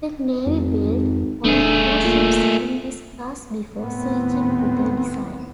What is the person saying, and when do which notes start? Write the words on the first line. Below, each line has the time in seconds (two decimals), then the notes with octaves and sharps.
The Navy built only two ships in this class before switching to the design.
0.46 G#1 F2
1.45 D#1 D3 A3 G#4
2.04 A#2
3.78 D#2 A2 B3 C4